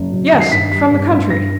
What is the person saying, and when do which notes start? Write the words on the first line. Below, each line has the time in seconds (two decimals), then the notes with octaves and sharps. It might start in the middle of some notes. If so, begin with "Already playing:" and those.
Yes--from the country.'
Already playing: F#1
0.12 F#2
0.32 D#3
0.40 C7
0.51 G2 B6
0.72 G3 B6
0.91 G2
1.11 G2
1.30 G2 A#6